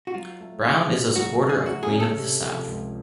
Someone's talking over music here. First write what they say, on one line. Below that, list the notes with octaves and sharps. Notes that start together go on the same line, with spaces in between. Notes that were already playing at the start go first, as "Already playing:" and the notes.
Brown is a supporter of Queen of the South.
F#4
F#3 F4
A3
C#3
C#4
F#3 F#4
A3
G#4
C#3 F#4
G#4
C#4
A4
C3
F3
C#2